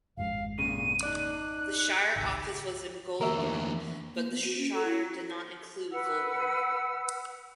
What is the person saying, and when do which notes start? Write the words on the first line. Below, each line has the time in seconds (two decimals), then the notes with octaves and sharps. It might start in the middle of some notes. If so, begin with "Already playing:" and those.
The shire office was in Goulburn but the shire did not include Goulburn.
0.17 G#1 F2 G#3 F5
0.59 A#2 C#3 D#7
1.03 D#4 D5 F#6
2.16 G#1 C#2 E6
3.21 E2 A#3 A#4 E5
3.37 D2
4.15 A#3
4.31 B3
4.44 F#4
4.58 C#4
4.73 A4
4.85 E4
5.92 B4 F#5 E6